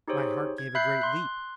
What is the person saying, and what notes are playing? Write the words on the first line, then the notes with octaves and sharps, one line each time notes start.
My heart gave a great leap.
D#4 G4 G#4 C5 C#5
G#6
E5 B5 F#6 G6 C7
C6 F#6